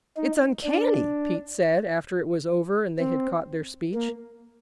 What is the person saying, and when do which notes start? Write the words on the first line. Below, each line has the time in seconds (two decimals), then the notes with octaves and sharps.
"It's uncanny," Pete said, after it was over and they had caught their speech.
0.17 D#4
0.64 D4
2.99 C4
3.94 A#3